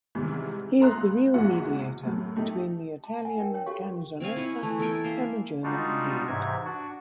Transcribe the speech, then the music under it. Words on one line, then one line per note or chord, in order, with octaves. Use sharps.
He is the real mediator between the Italian canzonetta and the German Lied.
G#2 C3 D#3 E3 G3
A4 E5 A#5 C6 D#6 F#6
C#2
A#1 E2 G#2 E3 F#4 F#5
F#2 A2 F#3
A3 D#4 G4
A5
F#5 G#5
D4 A#4 G5
C#5 G5
F#4 G4 A4 C#5 F5 C#6
C4 C#5 F5 G#5
E4 C#5 D#5
E3 A3
A4 A#4 G5 G#5
A#3 E5 C6
G3 G#3 D4 D#4 F4 F#4
G#2 C3 E3 G#6
D4 F#4